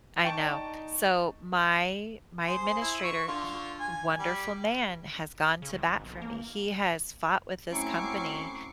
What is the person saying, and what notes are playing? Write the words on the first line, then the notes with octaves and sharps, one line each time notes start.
I know. So my my administrator, he wonderful man, has gone to bat for me. He has fought with this company
D#4 G5 A5 C#6 A6
D5
G#4 C5
E4
C#6
D3 F4
G#5
G3
C#3
C2
G#1
B1
A#3
F#3 A3 C4 C#4 E4 C#6 D6 C7